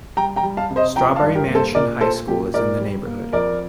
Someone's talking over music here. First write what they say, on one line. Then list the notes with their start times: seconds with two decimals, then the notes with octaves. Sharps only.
Strawberry Mansion High School is in the neighborhood.
0.17 G3 G5 A#5
0.36 G5 A#5
0.43 G3
0.57 F5 A5
0.70 C3
0.76 C5 D#5
0.96 F3 G5 A#5
1.16 F5 A5
1.22 G2
1.35 G4 A#4
1.48 A#3
1.55 A4 C5
1.75 A#2 A#4 D5
2.01 A#2 A4 C5
2.27 A#2 G4
2.54 A#2 A#4 D5
2.80 G3
3.06 A#3
3.33 F2 A#4 D5